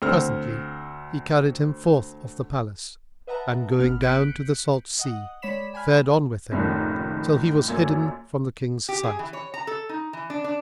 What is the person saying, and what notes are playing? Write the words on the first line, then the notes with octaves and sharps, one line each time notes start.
Presently he carried him forth of the palace and going down to the salt sea, fared on with him, till he was hidden from the King's sight.
D2 C4 F6
B4 D#5 E5 F#5 A5 A#5
G1 B3 F6
F#6 G6 B6 C#7 D7
D#5 F#5 D#6
G#3 C#5 D5 B5 B6 E7
G5 G#5 B5 F6
F#1 C2 A2 D#3 F3
F#2 A#2 A3 G#6
G4
G#4
E3
C#5
A#5
A4
D#4
E3
D4
D4